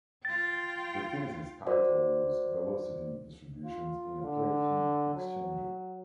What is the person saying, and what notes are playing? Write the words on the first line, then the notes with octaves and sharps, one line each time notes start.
The thesis title was "Velocity distributions in a plate heat exchanger".
F4 G5 A6
F#4 A#4 C5 D5
F4
D3
F#3